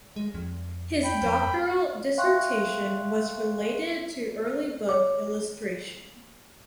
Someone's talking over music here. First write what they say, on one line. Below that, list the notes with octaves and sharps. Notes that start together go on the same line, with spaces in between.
His doctoral dissertation was related to early book illustration.
G#3
F2
G5 B5
F2
E5 F5 G5 C6 C#6 F#6
C#5 D6